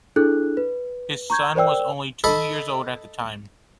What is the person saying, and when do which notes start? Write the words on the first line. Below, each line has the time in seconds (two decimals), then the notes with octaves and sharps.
His son was only two years old at the time.
0.16 D4 E4 G#4 A4 F#6
0.57 B4
1.30 A#5 C#6 G6 G#6
1.55 A#4 C5 D5 G5 E6
2.24 A4 D#5 B5